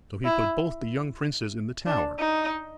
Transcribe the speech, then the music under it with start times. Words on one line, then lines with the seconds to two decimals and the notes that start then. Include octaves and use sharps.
So he put both the young princes in the Tower.
0.25 E4
1.86 D4
2.19 D#4